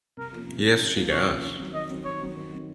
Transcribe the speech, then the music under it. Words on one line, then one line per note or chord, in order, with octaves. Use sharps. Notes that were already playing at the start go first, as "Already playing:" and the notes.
Yes, she does.
C3 A#4
F3 A#3 C#4
C3
F3 A#3 C#4
C3
F3 A#3 C#4
C3 C#5
F3 A#3 C#4
D#3
F#3 C4
D#3 D#5
F#3 C4
D#3 C#5
F#3 C4
D#3
F#3 C4